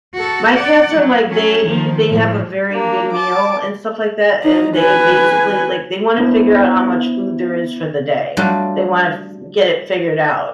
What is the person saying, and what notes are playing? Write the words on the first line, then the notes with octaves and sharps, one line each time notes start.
My cats are like, they eat they have a very good meal and stuff like that, and they basically, like, they wanna figure out how much food there is for the day. They wanna f get it figured out.
F#4 A4
D5 F#5
F#3
F#3 C#4
D#3 F3
A2 F3
A#3 D4
A5 D6
D#4
B4 G#5
B3 D4 E4 B4 C5
F#3 G3 A3 D4 F4 F#4